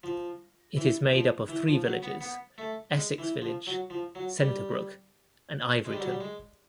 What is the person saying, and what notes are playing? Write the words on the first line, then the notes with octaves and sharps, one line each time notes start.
It is made up of three villages: Essex Village, Centerbrook, and Ivoryton.
F3
E3
F3
E3
F3
F#3
B3
B3
A3
G#3
E3
F3
F#3
F3
F#3
G3
G#3
G3
F#3
G3
G#3